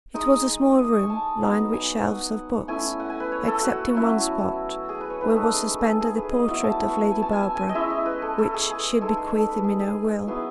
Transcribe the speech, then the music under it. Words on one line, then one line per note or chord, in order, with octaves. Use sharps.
It was a small room lined with shelves of books, except in one spot, where was suspended a portrait of Lady Barbara, which she had bequeathed him in her will.
G#3 D#4 D#6
D#6
C#6
G#5
A5
F#3 B3 D#4
G#5
F#5
A3 C#4 E4 G#5
F#5
G#5
B4
C#5
A4
F#4
F#3 C#4 E4
G#4
B4
C#5
A3 D#4 B4
A4
G#4
A4
G#4
G#4
B4
D#5
F#3 B3 E4 F#5
A5
B5
C#6
B5
G#5
A5
G#5
A5
G#5
D#5
G#3 C#4 E4 E5
D#5
B4
A4
A4
G#4
G#4
G#3 D#4 A4
G#4
A4
B4
G#4
G#4
F#3 B3 E4 G#4